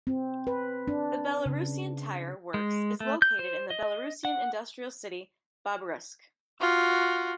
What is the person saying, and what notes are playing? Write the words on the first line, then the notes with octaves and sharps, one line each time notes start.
The Belarusian tyre works is located in the Belarusian industrial city Babruysk.
C4
B4
D4
C#3
G#3
A3
G6
C5
D#5
F#5
F4 F#4